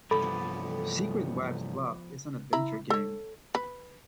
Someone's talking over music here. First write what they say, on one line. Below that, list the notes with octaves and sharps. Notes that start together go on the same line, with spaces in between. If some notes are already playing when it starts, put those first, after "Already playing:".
Secret Wives' Club is an adventure game.
C2 G2 F3 B3 A4 D5 B5
E4 A#5 B5
A4 C#5
B4